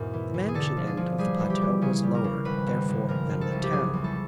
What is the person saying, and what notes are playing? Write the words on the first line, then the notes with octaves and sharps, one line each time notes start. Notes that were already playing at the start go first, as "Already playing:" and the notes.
The Mansion end of the plateau was lower, therefore, than the town.
Already playing: E2 G#2 B2 A#4
E3
E3
G#4
D3 A4
F3
G#4
F3
G3 G#4
E3
G4
E3
C#3 G#4
G3
A#4
C#3
G#1 B4
G#1
G#1
F3 A#4
F3
A4
C2
G4
F#3 G#4
E2
A4